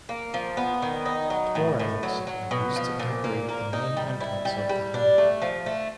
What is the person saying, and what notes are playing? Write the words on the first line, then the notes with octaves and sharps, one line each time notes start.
Torans are used to decorate the main entrance of the home.
A#3
F3
B3
D#3
D#4
F#3
A2
A2
F#3
F#3
B2
F3
A#2
A#3
A#3
D#4
G3
E4
G3
G3
D4
A3
F3
A3